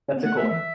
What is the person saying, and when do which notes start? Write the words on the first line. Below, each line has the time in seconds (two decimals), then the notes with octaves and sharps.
That's a cool one.
0.08 C#4
0.16 B3
0.24 A3 F#5
0.33 B3
0.37 E5
0.42 A3
0.48 E3 E5